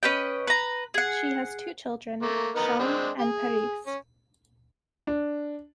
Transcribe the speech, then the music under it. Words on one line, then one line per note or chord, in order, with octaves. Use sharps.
She has two children, Shawn and Paryse.
C#4 B4 D#5 G5
B4 A#5
G#4 F#5
A3 A#3
B3 D#4 A#4
G#3 C4 D4
G#4
C#4
D4